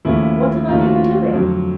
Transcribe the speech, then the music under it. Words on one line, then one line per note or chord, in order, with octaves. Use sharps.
What have I been doing?
D#2 C#3 F3 A3 E4
D#2 C#3 F3 A3 F4
F#4
F4
F2 D3 F#3